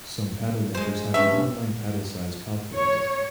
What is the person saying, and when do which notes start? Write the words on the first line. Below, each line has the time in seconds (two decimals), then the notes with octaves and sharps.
Some paddle makers have an online paddle size calculator.
0.74 G#3 C5
1.14 G2 C#4 E5
2.75 C#5